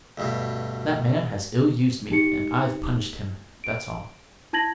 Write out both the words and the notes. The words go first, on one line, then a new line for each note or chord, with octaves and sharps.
"That man has ill-used me, and I've punished him; that's all."
D2 G2 B2
D#4 G4 C#7
D7
E4 A5 G#6 A#6 F#7